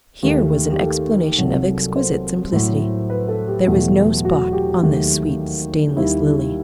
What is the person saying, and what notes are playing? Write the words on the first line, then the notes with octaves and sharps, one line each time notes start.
Here was an explanation of exquisite simplicity. There was no spot on this sweet, stainless lily.
D#2 D#3 A3 G4
G4
G4
A4
C2 C3 F#3
C5
A2 F#3 A3
B4
A4
G4
E2 B2 F#3 A3 G4
F#4
G4
D#2 D#3 F#3 A3 G4
D#2 D#3 G3 E4